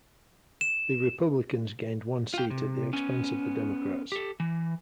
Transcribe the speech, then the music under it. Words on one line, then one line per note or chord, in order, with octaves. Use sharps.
The Republicans gained one seat at the expense of the Democrats.
E7
F4 G5
C3
B3 C#4
G4 A4
E3